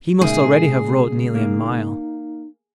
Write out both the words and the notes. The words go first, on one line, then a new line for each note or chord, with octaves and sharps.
He must already have rowed nearly a mile.
A#2 C#3 G#3 D#4 G#4 A#4 E5
A#3 D#4